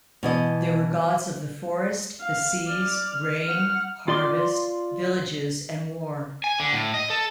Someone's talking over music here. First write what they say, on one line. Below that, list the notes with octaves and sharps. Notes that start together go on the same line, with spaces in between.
There were gods of the forest, the seas, rain, harvest, villages and war.
B2 E3 D#5
F5
D5 F6
F6
F#5 F6
F4 D5 C6 D6
G#5
D3
A2
D#5
A4